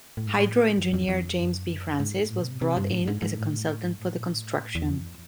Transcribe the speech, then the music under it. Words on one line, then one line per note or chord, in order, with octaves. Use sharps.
Hydro engineer James B. Francis was brought in as a consultant for the construction.
A2
G#2
A2
F#2
F2
F2
F#2
G#2
A2
B2
C3
C3
G2
A2
G2
G#2
G#2
A2
G#2
A2
A#2
A2
E2
F2